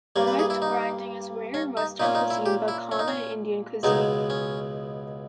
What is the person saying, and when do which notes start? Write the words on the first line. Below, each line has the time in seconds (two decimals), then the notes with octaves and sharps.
Wet grinding is rare in western cuisine but common in Indian cuisine.
0.16 G2 G3 A#3 C#5
0.27 B4
0.39 G#4
0.50 E4
0.62 D#4
1.54 C#4
1.77 D#4
1.99 A#2 A#3 C#4 D#4
2.15 D#4
2.30 E4
2.46 G4
2.68 E4
2.92 C#4
2.99 D#4
3.08 C#4
3.83 C#2 B2 G#3 B3 D#4
4.30 C#4